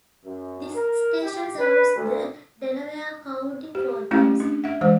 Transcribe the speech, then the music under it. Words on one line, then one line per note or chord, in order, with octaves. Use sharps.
This station serves the Delaware County Courthouse.
F#2
A#4
G4
B4
D2
G4
A3 C#4 E4 G4 F5
D4
E5 F#5
E3 G#3 C5